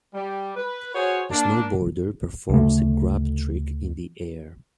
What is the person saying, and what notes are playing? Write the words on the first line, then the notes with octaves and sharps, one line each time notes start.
A snowboarder performs a grab trick in the air.
G3
B4
F#4 G#4 C5 C#5
A#3 D4
D2 C#3 A3